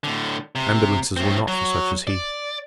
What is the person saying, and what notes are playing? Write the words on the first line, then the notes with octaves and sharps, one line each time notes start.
Ambulances were not for such as he.
A2 D3
C3
A2 C4
F#3
D5